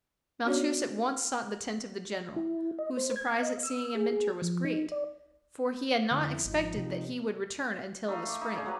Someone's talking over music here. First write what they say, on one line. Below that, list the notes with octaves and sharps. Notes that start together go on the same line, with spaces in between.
Malchus at once sought the tent of the general, whose surprise at seeing him enter was great, for he had not expected that he would return until the spring.
B3 C#4 D4 F#4 C#5 D5
E4
D#5
C5
G#6
D#5
E6
G#4
G#4
F3
D#4
D5
F2 D3 E4
G#1 F3 D#4
C3
A3 D#4 D#5 F5
D6
D#4
D#4 G#4 D5
F#3 G3 G4 B4